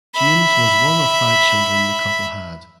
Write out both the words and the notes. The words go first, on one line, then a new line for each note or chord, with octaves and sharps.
James was one of five children the couple had.
E5 B5